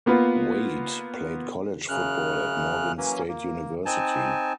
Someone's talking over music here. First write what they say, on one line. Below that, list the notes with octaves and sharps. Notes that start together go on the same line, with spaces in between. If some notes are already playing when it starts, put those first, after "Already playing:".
Wade played college football at Morgan State University.
A#3 B3 F4 B4
F#2 C#3 F6 F#6
E3 F#3 A#3 C#4
A#3
C4 D#4 G#5 A5